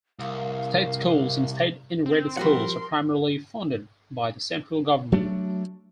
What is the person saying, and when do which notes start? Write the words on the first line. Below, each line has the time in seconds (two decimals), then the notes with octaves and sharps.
State schools and state integrated schools are primarily funded by the central government.
0.19 C2 A#4 F5
2.06 C4
2.37 F3 G3 F#4 A#4 F#5 C6
5.12 F#3 A3 D4